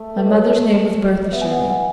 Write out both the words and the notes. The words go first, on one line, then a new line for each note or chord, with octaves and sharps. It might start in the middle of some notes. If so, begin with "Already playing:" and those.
My mother's name was Bertha Shirley.
Already playing: A3 A4
B4
D#5
C#5
D#5
D#5
B3 E5
G#5
F#5
G#5
F#5